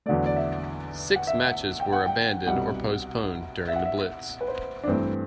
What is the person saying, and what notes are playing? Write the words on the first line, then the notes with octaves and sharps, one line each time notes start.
Six matches were abandoned or postponed during the Blitz.
E2 D3 F#3 A3 D5
D5
E5
F#5
E5
F#5
G5
F#5
G5
C2 B2 G3 F#5
E5
F#5
E5
B4
C5
D4
G2 E3 A3 C4